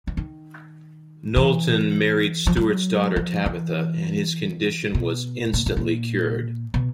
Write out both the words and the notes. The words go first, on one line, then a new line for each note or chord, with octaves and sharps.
Knowlton married Stuart's daughter, Tabitha, and his condition was instantly cured.
E3
D#3
E3
F3
F#3
F3
E3
B2
A#2
A2
A#2
B2